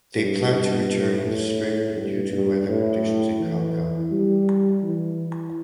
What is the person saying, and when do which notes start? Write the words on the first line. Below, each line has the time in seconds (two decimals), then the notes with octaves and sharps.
They planned to return in the Spring due to weather conditions in Khalkha.
0.17 G2
0.53 G2
1.25 A2
1.96 G2
2.32 G2
2.69 A2
3.40 E3
4.12 G3
4.84 E3